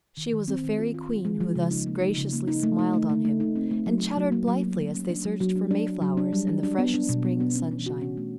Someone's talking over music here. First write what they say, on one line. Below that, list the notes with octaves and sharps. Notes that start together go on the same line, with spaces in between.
She was a fairy queen who thus graciously smiled on him and chattered blithely as they searched for mayflowers in the fresh spring sunshine.
D#3
D#3
C4
D#3
F4
F4
F4
G#3
F3
C#3
D#4
A#3
D#4
C#3
A#3
D#4
A3
D#4
A3
A3
A3
D#4
C4
A3
F#3
F#3
F#3
A#3
F#3
F#3
F#3
C#4
D4
F#3
F#3
D4
D4
D4
F#3
D4
G3
D4
D4
B3
D4
B2
B3
B3
C#4
E3
F#4
C#4
A3